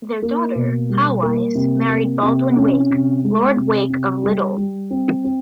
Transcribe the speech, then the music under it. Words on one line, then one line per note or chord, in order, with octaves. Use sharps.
Their daughter, Hawise, married Baldwin Wake, Lord Wake of Liddell.
A#3
B2
G3
A#3
C3
A#3
C3
C#4
C3
G#3
C3
C3
G3
G3
C4
C4